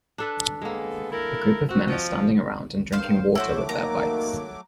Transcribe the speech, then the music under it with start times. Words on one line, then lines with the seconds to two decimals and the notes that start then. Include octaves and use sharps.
A group of men are standing around and drinking water with their bikes.
0.18 D4 A4 B4
0.62 G#3 A#3 B3 G#4 A4
1.11 E4 A4 A#4
1.69 C4 F#4
1.88 F3 D#5 G5
2.92 G2 D#3 C5 F5
3.35 A2 F#3 A3 E4 F#4 C5 D6
3.69 D#3 A#3 A#5